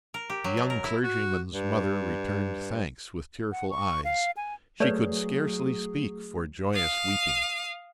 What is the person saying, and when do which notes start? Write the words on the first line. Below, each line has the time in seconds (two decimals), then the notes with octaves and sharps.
The young clergyman's mother returned thanks with tearful eyes; she could scarcely speak for joyous weeping.
0.14 A#4
0.30 G4
0.44 F#3
0.57 B2
0.70 A#4
0.84 E4
1.04 F#4
1.52 G2
3.52 F#5
3.70 C#6
4.04 F5
4.37 G#5
4.80 F#3 A3 G#4 B4 C#5 D5
6.73 F5 D#6